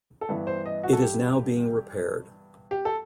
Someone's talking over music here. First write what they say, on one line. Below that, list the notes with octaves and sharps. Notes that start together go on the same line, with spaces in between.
It is now being repaired.
A4
G2 E3 B3 B4
C5
D#5
F#4
A4
G4
G4
A4